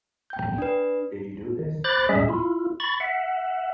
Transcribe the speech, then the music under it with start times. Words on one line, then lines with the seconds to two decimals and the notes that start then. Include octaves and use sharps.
Did you do this?
0.30 G5 G6
0.58 D4 B4
1.59 D#3
1.84 C5 B5 D6 F#6 A6
2.09 G3 G#3 C#4 G#4 E5
2.29 E4 F4
2.80 B5 C#6 A6
3.00 E5 F#5